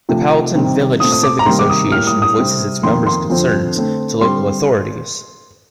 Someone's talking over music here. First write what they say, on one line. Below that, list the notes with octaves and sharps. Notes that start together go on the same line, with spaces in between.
The Powelton Village Civic Association voices its members' concerns to local authorities.
C3 F3 A3 C4
C3 D#3 G3 C4
A#2 A3 C4 D#6
D#6
D6
A#5
C3 D#3 G3 A#3 C6
D6
D#6
A2 G3 A#3 F6
D#6
D#6
C3 G3 C4
F2 D#3 A#3 C6
C6
F2 D3 F3 C4
D3 A3 C4
D3 G3 C4 C6